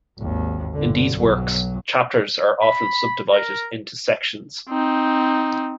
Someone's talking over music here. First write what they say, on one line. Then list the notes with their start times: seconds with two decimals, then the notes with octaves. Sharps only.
In these works, chapters are often subdivided into sections.
0.19 G#1 D#2
0.74 G1 D3
1.13 B1 F#3
2.62 B5
3.32 A#4
4.69 C4 D#4